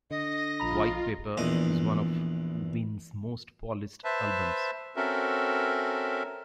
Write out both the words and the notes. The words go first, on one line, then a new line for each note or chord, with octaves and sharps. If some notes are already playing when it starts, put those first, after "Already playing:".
"White Pepper" is one of Ween's most polished albums.
D3 D#5 A#6
A#1 F4 A#5 B5
A#1 E2 D#5
B4 C5 E5 A5
C4 C#4 F#4 A4 A#4 E5